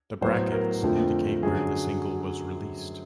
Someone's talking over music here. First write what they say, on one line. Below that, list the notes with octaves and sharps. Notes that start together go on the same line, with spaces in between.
The brackets indicate where the single was released.
A2 F#3 B3 C5
A#4
F2 D3 F3 A3 C4
F#2 D3 F#3 G#4